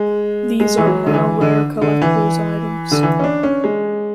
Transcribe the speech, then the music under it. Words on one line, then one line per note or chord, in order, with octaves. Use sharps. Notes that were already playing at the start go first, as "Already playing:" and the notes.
These are now rare collector's items.
Already playing: G#3
G#3
E3
F#3
D3
E3
D3
D3
E3
D3
E3
C#4
D4
C#4
G#3